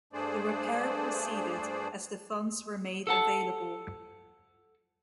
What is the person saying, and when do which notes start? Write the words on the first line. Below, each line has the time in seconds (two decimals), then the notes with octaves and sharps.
The repair proceeded as the funds were made available.
0.13 G2 A3 D4 G#4 C5 D5
3.07 A4 F#5 A5